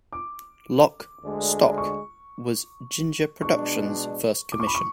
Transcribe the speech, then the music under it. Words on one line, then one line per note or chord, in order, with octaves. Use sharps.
"Lock, Stock..." was Ginger Productions' first commission.
D6
D2 D3 G#3 D4
C#6
B2 G#3 D4 C#6
D6
C#6
B5
C#6